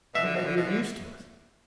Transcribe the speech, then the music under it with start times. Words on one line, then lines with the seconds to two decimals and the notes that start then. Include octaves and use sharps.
"But he may be of use to us."
0.14 B2 E5
0.25 D3
0.36 B2
0.46 D3
0.57 B2
0.68 D3